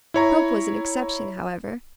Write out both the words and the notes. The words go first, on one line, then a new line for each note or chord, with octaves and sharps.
Pope was an exception, however.
E4 C#5 A#5